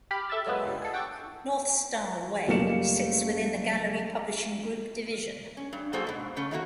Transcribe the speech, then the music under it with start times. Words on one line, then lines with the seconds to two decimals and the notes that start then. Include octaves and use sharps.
North Star Way sits within the Gallery Publishing Group division.
0.11 G4 B5 F6
0.30 A4 E5 A5 E6 A6
0.47 F#3 G#3 A#3 B3 B4
0.63 C#2 G2 G3
0.82 G#4 A4
0.94 F#5 G5 A5 C#6 D6 E6
2.47 F#1 G3 A3 A#3 C#7 E7
5.57 C#4
5.73 G2
5.93 F#3 A#3 F#4 G#4 A4 C5
6.07 G#2 B2
6.36 C#3 A3 C#4
6.51 D#3 A3 A#3 F#4